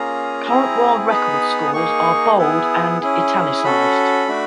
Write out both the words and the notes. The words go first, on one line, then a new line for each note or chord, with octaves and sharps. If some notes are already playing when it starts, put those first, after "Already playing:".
Current world record scores are bold and "italicized".
Already playing: A#3 C#4 F4 G#4 A#5
C4 E4 G#4
B3 D#4 G#4 B5
A#3 D#4 G#4 C#6
B3 E4 G#4
C#4 E4 G#4
C#4 F#4 A4 B5
A3 D4 F#4